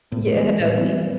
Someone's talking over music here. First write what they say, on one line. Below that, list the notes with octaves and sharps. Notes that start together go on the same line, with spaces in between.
Yeah, I don't need it.
A2 B3
E3 A3 B3
A2 G3
E3 F#3 B3